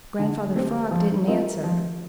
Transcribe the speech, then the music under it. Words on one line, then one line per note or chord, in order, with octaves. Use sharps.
Grandfather Frog didn't answer.
D3
A3 C4 G4 C5
F3
C4 F4 A#4 D#5
F3